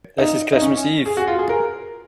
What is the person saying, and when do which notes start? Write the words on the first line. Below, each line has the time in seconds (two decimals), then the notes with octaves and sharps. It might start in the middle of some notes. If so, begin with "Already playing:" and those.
This is Christmas Eve.
0.18 D#4
0.53 D#4
0.61 C#4
1.06 G#4
1.17 F#4
1.27 F4
1.39 G#4
1.49 A#4